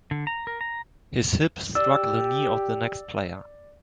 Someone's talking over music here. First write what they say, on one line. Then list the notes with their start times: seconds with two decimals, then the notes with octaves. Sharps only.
His hip struck the knee of the next player.
0.11 D3
0.27 A#5
0.47 A#4
0.61 A#5
1.75 G4 D5 E6